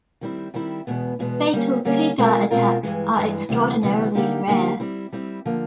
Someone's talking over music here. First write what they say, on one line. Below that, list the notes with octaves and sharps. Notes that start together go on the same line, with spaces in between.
Fatal cougar attacks are extraordinarily rare.
D#3 G3 C4 E4
D#3 G3 C4 E4
E2 B2 G#3 B3
E2 B2 G#3 B3
D3 G3 A#3 C#4
D3 G3 A#3 C#4
B2 G#3 C4 F4 A#4
B2 G#3 C4 F4 A#4
G2 E3 G#3
G2 E3 G#3
D2 C3 E3 G3 B3
D2 C3 E3 G3 B3
D3 G3 A#3 D#4 G4
D3 G3 A#3 D#4 G4
G3 C4 E4
G3 C4 E4
D3 F3 A#3